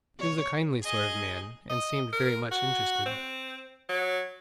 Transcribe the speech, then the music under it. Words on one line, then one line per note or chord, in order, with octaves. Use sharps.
He was a kindly sort of man, and seemed very much interested.
C#5
G#4 D#5
D#5
A#4
F#4
C4
F#3